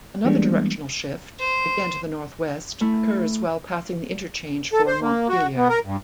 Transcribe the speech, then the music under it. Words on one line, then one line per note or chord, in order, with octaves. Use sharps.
Another directional shift, again to the northwest, occurs while passing the interchange for Montpelier.
E3 G3 G#3 A#3 B3 D4
C5
A3 E4
A4
C5
A#3
F#4
B3
A#4
G2